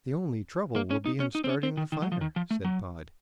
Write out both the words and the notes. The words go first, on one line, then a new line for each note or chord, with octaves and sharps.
"The only trouble will be in starting the fire," said Pod.
A#3
C#4
D#4
C#4
D#4
C4
C#4
C4
D#3
D#3
F#3
F3
D#3
F3
A3
F#3